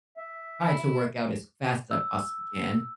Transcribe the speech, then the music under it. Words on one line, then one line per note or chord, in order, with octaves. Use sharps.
try to work out as fast as I possibly can,
E5
E4
E6